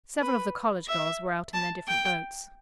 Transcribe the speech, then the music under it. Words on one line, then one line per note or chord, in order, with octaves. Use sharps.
Several of the college girls were out in their different boats.
B4
E5
A5
G5